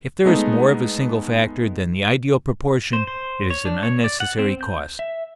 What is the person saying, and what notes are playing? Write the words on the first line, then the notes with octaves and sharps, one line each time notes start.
If there is more of a single factor than the ideal proportion, it is an unnecessary cost.
G#3 A3 B3 D#4
C5
C5
C#5
D4
C#5
D5
F#5
C4
G6
E5